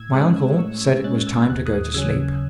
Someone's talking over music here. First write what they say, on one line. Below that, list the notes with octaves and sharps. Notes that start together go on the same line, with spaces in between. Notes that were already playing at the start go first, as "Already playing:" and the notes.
My uncle said it was time to go to sleep.
Already playing: A2 E6 G#6
G#3 C#4 D#6 F#6
E6 G#6
A2 C#6 E6
E6 G#6
G#3 C#4 F#6 A6
E6 G#6
D#2 F#6
G#6
D#6 F#6
C#3 F#3 C#4 E6 G#6